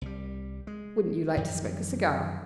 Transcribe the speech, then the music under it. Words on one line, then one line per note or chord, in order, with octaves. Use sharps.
Wouldn't you like to smoke a cigar?
C2 G3
G#3
F#2 D#3 F3 G3